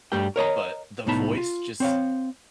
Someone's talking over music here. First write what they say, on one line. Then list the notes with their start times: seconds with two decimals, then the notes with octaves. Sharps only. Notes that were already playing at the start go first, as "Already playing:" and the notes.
but the voice just
0.12 G2 G3 A3 G4 G5
0.36 A#4 C#5 D#5 A#5
1.06 C2 A2 B3 D#4 A5 B5
1.38 F4
1.80 C4 C#5 F5